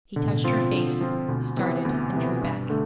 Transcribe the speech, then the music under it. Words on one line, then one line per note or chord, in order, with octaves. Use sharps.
He touched her face, started, and drew back.
B2 D3
A2
B2
F3 C4 F4
D3
F3 C4 F4
D2 B2
C3 E3 B3
D2 B2
C3 E3 B3
G2
D3 A3